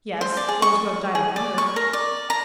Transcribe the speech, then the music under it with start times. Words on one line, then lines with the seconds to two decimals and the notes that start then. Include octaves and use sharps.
"Yes; those who have died of hunger."
0.21 C5
0.37 D5
0.49 G#4
0.62 C#6
1.15 G#4
1.36 D5
1.58 C#6
1.76 A#4
1.93 D5
2.30 A#5